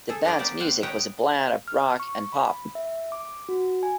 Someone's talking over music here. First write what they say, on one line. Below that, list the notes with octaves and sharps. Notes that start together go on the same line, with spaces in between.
The band's music was a blend of rock and pop.
G#4 A4
D4 G#4 B4 D5 D#5
A#3 B3 G4 C5 D5
C4 F5 F#5
B4 C#5 D#5 F#5 G5
F6
C#6
B5
E5
D6
F#4
G#5